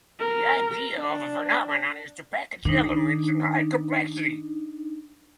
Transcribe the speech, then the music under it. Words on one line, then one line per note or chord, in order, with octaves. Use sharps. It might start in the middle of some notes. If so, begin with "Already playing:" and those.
The idea of a Phenomenon is to package elements and hide complexity.
A#4
D4
D#3 D4 D#4